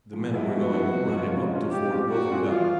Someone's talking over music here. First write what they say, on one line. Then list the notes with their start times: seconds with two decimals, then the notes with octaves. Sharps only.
The men were going to run him up to Fort Govindghar.
0.13 F3
0.34 G#3 B3 E4
0.52 F3 F#4
0.72 G#3 B3 E4
0.93 C3
1.12 F3 G#3 C#4 F4
1.31 C3
1.51 F3 G#3 C#4 F4
1.70 B2 G4
1.91 G3 C4 F4 G#4
2.09 B2 F#4
2.30 G3 C4 F4 G#4
2.48 E3 F4